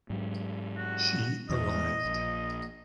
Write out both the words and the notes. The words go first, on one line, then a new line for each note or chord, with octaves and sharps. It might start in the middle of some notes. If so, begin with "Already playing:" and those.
She arrived.
G#2 F#3
F#4
E2 E3 D#5
A#1